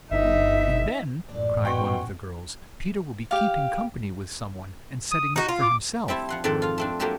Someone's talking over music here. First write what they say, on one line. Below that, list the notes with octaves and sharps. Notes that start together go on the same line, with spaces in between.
"And then," cried one of the girls, "Peter will be keeping company with some one, and setting up for himself."
G1 D#4 E5
A1 F#2 A#2 D4
B2 C#4 B4 F#5 G5 C6 C#6
G4 F5
D#6
D#4 F#4 A#5
F4 F5
D6
G3 C4 E4 E5 A5
F3 F#5 C6
F2 G#2 D#3 A4 D5
F4 F5
A3 C4 D4
F3 F#3 A3 A#3 G4 A4